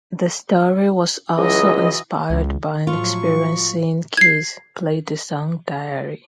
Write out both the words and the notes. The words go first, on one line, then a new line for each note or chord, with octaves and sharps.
The story was also inspired by an experience seeing Keys play the song Diary.
C#2 E3 F#3 D#5
C#2
A2 F3 F#3 F4 C#6
G#6 C7